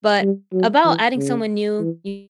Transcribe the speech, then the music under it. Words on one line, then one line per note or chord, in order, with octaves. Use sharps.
but about adding someone new, you
G3
F#3
E3
C#3
E3